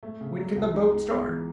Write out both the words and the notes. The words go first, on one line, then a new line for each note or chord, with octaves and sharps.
"When can the boat start?"
A3
C#3
F#3
C#2
D#4
G#3
B3
E3